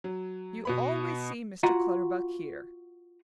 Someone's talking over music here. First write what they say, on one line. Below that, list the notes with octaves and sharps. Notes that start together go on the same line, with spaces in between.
You always see Mr. Clutterbuck here.
F#3
B2 B3 B5
F4 F#4 F#5 A#5